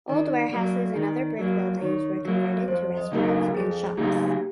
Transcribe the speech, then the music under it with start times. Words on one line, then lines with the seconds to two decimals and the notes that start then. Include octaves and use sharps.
Old warehouses and other brick buildings were converted to restaurants and shops.
0.09 D#3 D5
0.53 F#3 A#3
0.96 D#3
1.39 F#3 A#3
1.81 D#3 C#5
2.25 F#3 A#3
2.68 F2 C5
2.97 D#5
3.12 C#3 F#3 A#3 D#4 A#4
3.26 A4
3.55 F2 G#4
3.97 C#3 F#3 A#3 D#4 G4